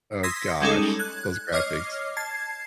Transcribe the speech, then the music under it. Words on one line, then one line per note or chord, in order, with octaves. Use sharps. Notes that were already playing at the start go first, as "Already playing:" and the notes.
Oh gosh, those graphics.
C6 D#6 E6 G#6 A#6 B6
G3 G#3 C#4 D#4 G#4 A4
F#6 G#6
C#5 D#5 D6 F6 C7
A5 G#6 C7